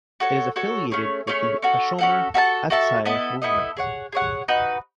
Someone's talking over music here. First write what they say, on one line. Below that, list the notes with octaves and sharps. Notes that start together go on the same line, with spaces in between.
It is affiliated with the Hashomer Hatzair movement.
F#4 A4 C#5
F#4 A4 C#5
A3 C#4 G#4 C#5
A3 C#4 G#4 C#5
C#4 F#4 A4
C#4 F#4 A4
F#4 A4 E5 A5
F#4 A4 E5 A5
B3 E4 A4 D#5
B3 E4 A4 D#5
G#4 C#5 F#5
G#4 C#5 F#5
D#4 F#4 B4